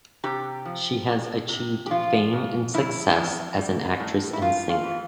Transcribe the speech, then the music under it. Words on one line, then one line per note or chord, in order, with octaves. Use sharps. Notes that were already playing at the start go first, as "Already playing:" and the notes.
She has achieved fame and success as an actress and singer.
C3 G4
F3
C3
C3
G4
F3 F4
F2
F2 E4
F2
G3
A2
E4
A2 F4
F4
E3